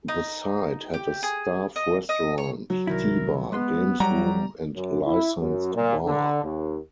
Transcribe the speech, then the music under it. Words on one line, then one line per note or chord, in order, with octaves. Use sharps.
The site had a staff restaurant, tea bar, games room and licensed bar.
D#4
G4
G#4
D#5
D#5
C#5
F#3
C2 D#3 E4 A#4
G#3 B3 B4 C6
F#3 G3 F#5 A#5
F#2
E4
F#2
A#2
D3
D#2